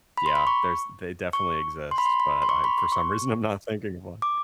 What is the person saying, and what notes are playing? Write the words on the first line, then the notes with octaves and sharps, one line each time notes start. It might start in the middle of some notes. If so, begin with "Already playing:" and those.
Yeah, there's they definitely exist, but I for some reason, I'm not thinking of one.
B5
C6
B5
C#6
C#6
C6
B5
C6
B5
C6
C#6
B5
C6
C#6
D6